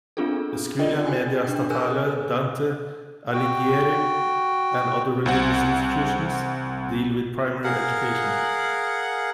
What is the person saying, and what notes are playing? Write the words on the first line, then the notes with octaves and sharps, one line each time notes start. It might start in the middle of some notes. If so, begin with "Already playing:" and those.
The Scuola Media Statale "Dante Alighieri" and other religious institutions deal with primary education.
B3 C4 D4 F4 G#4 A4
F4 A4 A#4 D5 D#5 G5
F#4 G5 G#5
D4 G5
G#4 A#4 B4 G#5 E6 F#6
F#4 G5
C2 C4 F#5
G#4 A#4 F5 F#5